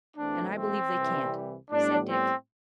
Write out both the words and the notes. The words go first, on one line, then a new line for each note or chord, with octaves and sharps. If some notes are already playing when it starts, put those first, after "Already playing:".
"And I believe they can't," said Dick.
E2 B2 A3 C4 D4
C4
C2 C3 E3 G3
A2 G3 B3 D4
C4